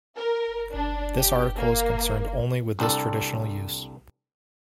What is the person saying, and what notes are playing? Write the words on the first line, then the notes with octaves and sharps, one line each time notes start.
This article is concerned only with this traditional use.
A#4
D4
G4
A#3
C2 D4 A4